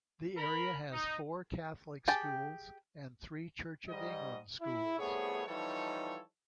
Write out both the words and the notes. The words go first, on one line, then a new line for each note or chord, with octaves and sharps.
The area has four Catholic schools and three Church of England schools.
A#4 B5
D#4
G4 G#4 G5 A5
G#2 G3 D#5
E4
C2 A3 B3 G#4 C#5
E3 F3 G3 D#4 A4 C#5